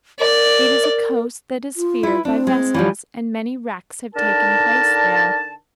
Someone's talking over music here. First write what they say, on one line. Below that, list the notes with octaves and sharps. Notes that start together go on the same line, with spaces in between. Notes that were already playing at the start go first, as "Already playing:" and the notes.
It is a coast that is feared by vessels and many wrecks have taken place there.
A#4 D5
F4
E4 B4
C4 D4
G#3
E3 F3 G3
D3 D4 D#4 A#4 A5